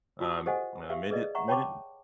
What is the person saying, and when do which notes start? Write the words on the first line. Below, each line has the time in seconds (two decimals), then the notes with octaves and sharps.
um, uh, made it made it
0.20 F4 F#4 A5 C6 D#6
0.46 G4 A4 C5 D#5 F#5 G#5
0.90 G4 E5 F5
1.10 G#4 A4 B4 D5 D#5
1.35 E5 F#5 A#5 C#6
1.48 C#5 G5 A5 B5 C#6 D6